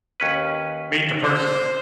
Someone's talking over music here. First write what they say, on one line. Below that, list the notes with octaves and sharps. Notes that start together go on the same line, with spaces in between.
meet the person.
D#2 C#4 B4
C5